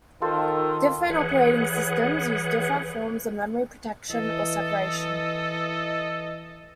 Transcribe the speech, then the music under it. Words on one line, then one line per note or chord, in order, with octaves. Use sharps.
Different operating systems use different forms of memory protection or separation.
D#3 F4 A4 C5
E3 G#4 B4 C#5 F#5
E3 A4 D#5